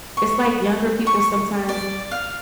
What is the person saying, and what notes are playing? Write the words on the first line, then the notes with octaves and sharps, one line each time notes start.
It's like younger people sometimes
C#6
C#6
D5
F5